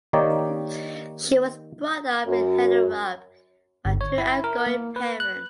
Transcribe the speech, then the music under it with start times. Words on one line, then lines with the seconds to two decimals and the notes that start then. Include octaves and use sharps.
She was brought up in Hellerup by two outgoing parents.
0.13 D#3 A#3 D#4 G4 C#5 D5
2.27 F#2
3.85 G1
4.01 C#5
4.18 E4
4.44 A#4
4.67 A#3
4.96 B4
5.20 F#6